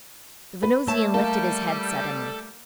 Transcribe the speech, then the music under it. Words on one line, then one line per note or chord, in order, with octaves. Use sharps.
The Venusian lifted his head suddenly.
B4
A3 C#5 E5 A5
G3 A#3 A4